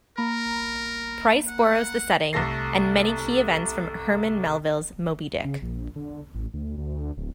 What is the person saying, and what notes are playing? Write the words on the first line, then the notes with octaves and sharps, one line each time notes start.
Price borrows the setting and many key events from Herman Melville's "Moby-Dick".
A#3 A#4 A#5 B5
F#5
C2 A3 A4 A#6 C7
C#3
A#1
D3
A1
D2
D2
D1